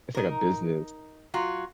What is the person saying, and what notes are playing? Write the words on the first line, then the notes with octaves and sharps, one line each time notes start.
it's, like, a business
D#4 A#4
F#3 F4 F#4